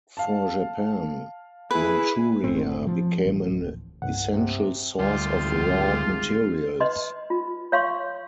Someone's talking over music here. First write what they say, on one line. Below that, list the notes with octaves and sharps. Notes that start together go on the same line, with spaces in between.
For Japan, Manchuria became an essential source of raw materials.
F5 A5
E4 G#4 B4
F#1 A2 C4
F3
A1
D1
C2 G2 F#5
C3
D2 G3 F4
G#1
B4 D#5 C6
F4
C#5 F5 C6 C#6